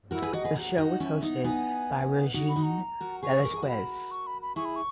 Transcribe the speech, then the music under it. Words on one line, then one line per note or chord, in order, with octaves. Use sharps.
The show was hosted by Regine Velasquez.
E4 F#4 A#4
G#4 B4
F#4 A#4 D#5
G#4 B4
F#4 A#4
D#4 F#4
C#4 E4
B3 D#4
B3 D#4 G#5
D#4 F#4
B5
D#4 F#4
A#5
F#4 A#4
G#4 B4 C#6
A#4
G#4
F#4 A#4
B5
C#6
B5
B5
E4 G#4 C#6
B5
C#6